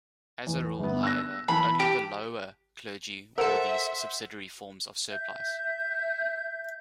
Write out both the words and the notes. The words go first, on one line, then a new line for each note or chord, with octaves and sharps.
As a rule, however, only the lower clergy wore these subsidiary forms of surplice.
E2
G1 B3
E6 F#6 A#6
E3 B5
G4
A4 A#4 C5 E5 F#5 E6
E5 G6